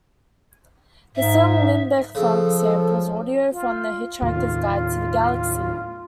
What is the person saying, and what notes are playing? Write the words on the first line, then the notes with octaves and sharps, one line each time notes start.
The song "Limbic Funk" samples audio from The Hitchhiker's Guide to the Galaxy.
G#2 E5
C#3 F3 A4
F4
D#2 A2 C3 F4